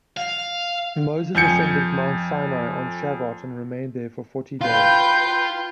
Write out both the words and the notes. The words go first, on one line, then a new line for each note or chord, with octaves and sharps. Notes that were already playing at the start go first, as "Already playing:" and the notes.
Moses ascended Mount Sinai on Shavuot and remained there for forty days.
F5
F2 G#5 G6 C#7
F4 B4 G5 G6